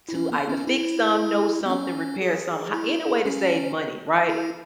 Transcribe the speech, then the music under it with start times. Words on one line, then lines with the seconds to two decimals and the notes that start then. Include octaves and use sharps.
to either fix some, know something, repair some hi any way to save money, right?
0.09 E4
0.15 C#4
0.32 B3
0.49 C#4
0.67 E4
1.66 B3
1.70 C#4
2.21 G#4
2.74 E4
3.25 C#4
4.29 E4